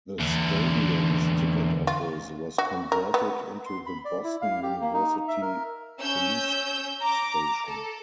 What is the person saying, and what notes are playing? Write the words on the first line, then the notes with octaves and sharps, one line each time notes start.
The stadium's ticket office was converted into the Boston University police station.
E2 D3
F4
F#4
A#4
B3
C6
B5
D5
E4
F5
G4
A#3
D#4
E5
A#4
C#4 E6 G6
A#5 D6
A4